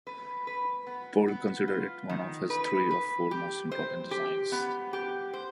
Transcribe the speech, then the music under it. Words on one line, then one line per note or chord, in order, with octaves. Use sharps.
Pearl considered it one of his "three or four most important" designs.
B4
B4
B3
B3
F4
D#3
B4
B4
G4
C5
G4
B3
G4
C5